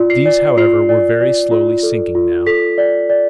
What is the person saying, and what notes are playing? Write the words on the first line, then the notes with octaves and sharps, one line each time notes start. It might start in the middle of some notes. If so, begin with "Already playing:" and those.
These, however, were very slowly sinking, now.
Already playing: F4 D5
C7
D5
F4 C7
D5
D5
F4
A4
F4
A4 B6
D5
D5